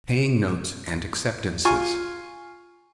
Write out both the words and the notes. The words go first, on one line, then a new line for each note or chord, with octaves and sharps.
Paying Notes and Acceptances.
F4 G#5 C#6